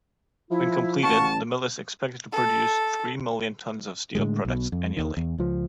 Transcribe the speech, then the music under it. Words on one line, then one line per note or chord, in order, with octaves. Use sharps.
When completed, the mill is expected to produce three-million tons of steel products annually.
F3 E4
A1 F#4 F5 A5 C#6
A4
A2 D3 G#3
B1 B2
F2
D#2 D#3
E2
C#2 F3